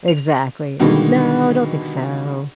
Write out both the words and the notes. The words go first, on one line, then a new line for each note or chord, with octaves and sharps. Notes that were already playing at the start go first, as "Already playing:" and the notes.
Exactly. T no, I don't think so.
F7
B2 D3 D#3 G3 G#3 A#3